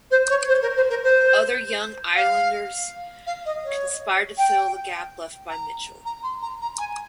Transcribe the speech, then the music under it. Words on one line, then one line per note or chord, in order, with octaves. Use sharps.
Other Young Irelanders conspired to fill the gap left by Mitchel.
C5
C#5
C5
A#4
C5
A#4
C5
F5
F5
D#5
C#5
G5
A#5
A#5
C6
A#5
A#5
G#5